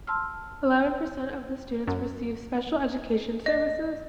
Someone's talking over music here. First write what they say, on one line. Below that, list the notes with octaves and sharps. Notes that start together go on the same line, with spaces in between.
Eleven percent of the students receive special education services.
A5 C6 E6 F6
F#2
D#5